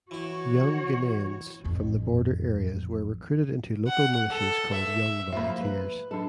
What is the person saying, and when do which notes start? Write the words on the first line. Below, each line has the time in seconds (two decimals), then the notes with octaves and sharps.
Young Guineans from the border areas were recruited into local militias called Young Volunteers.
0.11 E3 E4 F#4 C#5
1.64 A1 F2
3.87 F#5
4.31 A4
4.74 E5
5.33 F3 A#3 E5 B5
5.61 B4
6.11 F#3 D4 A4